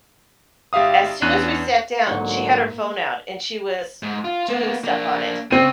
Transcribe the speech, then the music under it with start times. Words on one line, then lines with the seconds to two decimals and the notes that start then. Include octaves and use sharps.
as soon as we sat down, she had her phone out and she was doing stuff on it.
0.73 G#1 G4 E5 F5 D#6
1.22 E2 C#4 D4 F#6 D#7
2.07 B1 G#2 D3 F#3 A#3 C#5
4.03 G#2
4.25 F4
4.49 A#3 B3
4.84 A#3 D4
5.51 C#3 C4 D#7